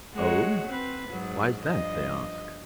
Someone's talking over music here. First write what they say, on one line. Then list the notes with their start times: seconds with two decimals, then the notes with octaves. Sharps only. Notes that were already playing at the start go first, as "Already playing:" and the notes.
"Oh! why's that?" they ask.
0.14 G#3 F#4 C#5
0.67 C4 B4
1.09 G#2 F#3
1.62 G2 F3 D#5